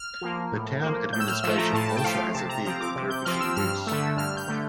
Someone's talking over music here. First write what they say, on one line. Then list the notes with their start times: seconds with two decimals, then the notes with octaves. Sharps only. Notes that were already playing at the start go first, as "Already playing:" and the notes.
The town administration also has a vehicle for official use.
Already playing: F6
0.21 F3 A#3
0.52 A2
0.82 F3 A#3
1.13 A2 G6
1.20 E6
1.28 F6
1.43 F3 A3 E6
1.58 A#5
1.73 A2 A5
1.88 A5
1.96 G5
2.04 F3 A3 F5
2.34 C3 A5
2.49 A#5
2.65 F3 C4 A#5
2.80 D6
2.96 C3
3.10 G6
3.25 F3 C4 F6
3.41 E6
3.56 G2 F6
3.87 A3 E6
3.91 D3
4.17 G2 F6
4.37 G6
4.47 D3 A3